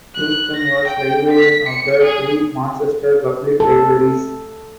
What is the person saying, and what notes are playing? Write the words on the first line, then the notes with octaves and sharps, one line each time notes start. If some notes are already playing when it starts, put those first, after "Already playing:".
Sutton was librarian of the Free Manchester Public Libraries.
F#6
A#6
G5
B6
C#7
G#4
A4